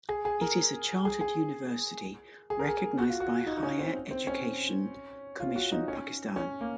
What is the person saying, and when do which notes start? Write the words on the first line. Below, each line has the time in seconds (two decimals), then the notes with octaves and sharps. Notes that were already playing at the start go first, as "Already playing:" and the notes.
It is a chartered university recognized by Higher Education Commission Pakistan.
0.09 G#4
0.25 G#4
0.41 A#4
1.05 G#4
1.21 G#4
2.50 G#4
2.59 A#4
2.68 G#4
2.98 F#4
3.09 F4
3.20 F#4
3.46 D#4
3.57 D#4
3.63 C#4
3.79 C4
4.11 C4
4.27 C#4
5.40 F4
5.56 F#4
5.72 D#4
5.88 C#4
6.36 C#4
6.61 A#3